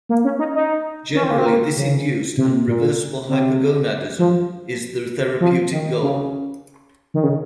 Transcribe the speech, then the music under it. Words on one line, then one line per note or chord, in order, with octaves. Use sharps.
Generally this induced and reversible hypogonadism is the therapeutic goal.
A#3
C#4
D#4
D#4
C#4
C4
A#3
C4
A#3
C#3
C3
A#2
C3
F3
F3
D#3
C#3
D#3
C#3